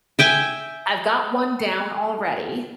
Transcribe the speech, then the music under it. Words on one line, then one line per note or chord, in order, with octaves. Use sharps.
I've got one down already,
E5 G5 G#5